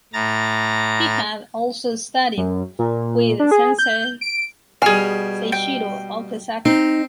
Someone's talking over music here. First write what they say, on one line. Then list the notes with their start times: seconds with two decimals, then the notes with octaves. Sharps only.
He had also studied with sensei Seishiro Okazaki.
0.13 A2 A#5 A6
2.37 F#2
2.79 A#2
3.40 D4
3.51 G#4
3.79 G6
4.21 D7
4.82 B2 G3 G#4 G#5 F6
5.52 G5
6.65 C4 D#4